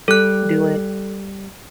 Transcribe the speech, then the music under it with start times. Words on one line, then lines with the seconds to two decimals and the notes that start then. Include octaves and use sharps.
Do it.
0.08 G3 A4 F#6